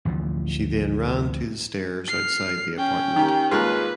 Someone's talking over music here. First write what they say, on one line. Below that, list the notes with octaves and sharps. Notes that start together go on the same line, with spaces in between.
She then ran to the stairs outside the apartment.
A1 D2 E3 F3
F6 C7
C#4 G5
D#3 G4
D#2 G#3 F4 B4